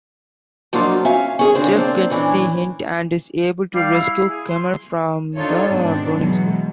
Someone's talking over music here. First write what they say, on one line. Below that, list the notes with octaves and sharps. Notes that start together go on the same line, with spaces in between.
Jeff gets the hint and is able to rescue Kemal from the burning school.
F3 F#3 A#3 D4 D#4 F4
C#4 E5 F5
C#4 G#4
C#3 C4 D4 C5
A#3 C4 D4
A#2 E3 C#4 D4
G3 F5
E4
G#4
C6
D4 D#4 F4 A4 C#5
G#2 B2 C4 D4
B2 E3 F#3 G#3